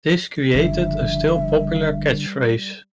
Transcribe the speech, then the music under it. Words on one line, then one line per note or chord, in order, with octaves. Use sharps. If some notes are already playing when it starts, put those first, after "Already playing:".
This created a still-popular catchphrase.
F#1 D3 F3 G3 E5